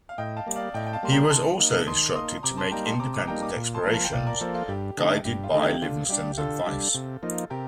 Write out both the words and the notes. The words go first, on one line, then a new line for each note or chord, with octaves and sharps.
He was also instructed to make independent explorations, guided by Livingstone's advice.
F5
A2 D#5 G5
F5 A5
G3 A#3
D5 F5
A2 D#5 G5
G5
F5 A5
G3 A#3 C6
G5 A#5
A#5
D#3 A5 C6
A#3 D#4
D#3 C6 D#6
A#3 D#4 C6 D#6
C3 A#5 D6
A5 C6
G3 A#3 D#4 G5 A#5
A5 C6
C3 A#5 D6
A#5 D6
G3 A#3 D#4 G5 A#5
A#5 D6
A#2
A5 C6
F3 A#3 A#5
F5 A5
G5
A#2 D5 F5
A#4 D5
F3 A#3 A4 C5
F4 A4
G2 G4
D3 A3 D#4
G2 G4
F4
D3 A3 D#4
G4
D3 F4
G3 D4 G4
D3 F4 A4
G3 D4
C3
F3 A#3 D#4
C3 G4 A#4